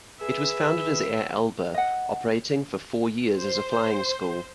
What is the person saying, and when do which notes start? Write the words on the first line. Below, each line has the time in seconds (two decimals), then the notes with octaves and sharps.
It was founded as Air Alba, operating for four years as a flying school.
0.21 G#4 B4 E5
1.74 D#5 F#5
3.36 C5